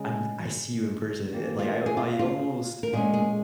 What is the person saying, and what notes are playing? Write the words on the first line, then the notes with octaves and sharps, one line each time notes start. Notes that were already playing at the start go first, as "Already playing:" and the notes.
I'm I see you in person, eh, like, I I almost b
Already playing: C#3 G#3 C#4 G#4
D#3 A#3 C#4
F4 A#4
G#4
F4
F4
A#4
A#2 G#3 C#4 G#4
G#4